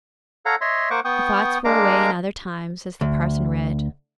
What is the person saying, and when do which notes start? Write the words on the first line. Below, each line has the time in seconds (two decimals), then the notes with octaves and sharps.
Her thoughts were away in other times as the parson read.
0.46 A4 C#5 F5 F#5 A#5
0.61 C#5 D#5 E5 C6
0.91 A#3 C5 F#5 C#6 D6
1.05 B3 G5 C#6 D#6
1.65 G#3 A#3 D4 F5 A#5 D6
3.01 D2